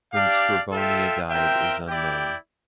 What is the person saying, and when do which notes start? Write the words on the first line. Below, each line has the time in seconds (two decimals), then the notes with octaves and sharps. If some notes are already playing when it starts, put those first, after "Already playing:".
When Scribonia died is unknown.
0.13 D4 G4 D5 F5
0.71 F4 A4 E5 G5
1.29 C4 F4 A#4 E5 G5
1.87 E4 G4 D5 G5